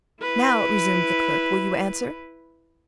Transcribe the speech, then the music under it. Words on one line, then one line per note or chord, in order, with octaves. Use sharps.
"Now," resumed the clerk, "will you answer?"
E4 B4